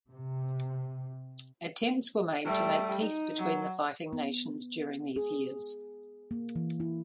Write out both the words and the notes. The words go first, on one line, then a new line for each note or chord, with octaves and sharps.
Attempts were made to make peace between the fighting nations during these years.
C3
G3 A3
D#4
F#3
B3
G#4
A#3
E3
E4